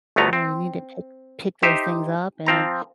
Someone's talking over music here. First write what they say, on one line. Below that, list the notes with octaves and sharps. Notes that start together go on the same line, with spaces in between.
You know, you need to pick pick those things up and
G1 D2 A3 B3 A#5
C4
D#4 G4 C5 E5
F3 C4 A#5